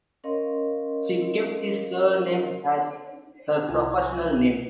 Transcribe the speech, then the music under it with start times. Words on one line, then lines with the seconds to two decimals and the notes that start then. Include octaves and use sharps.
She kept his surname as her professional name.
0.24 C#4 A#4 C#5 D#5 F5 C6
3.69 C2 E4 F4 G#5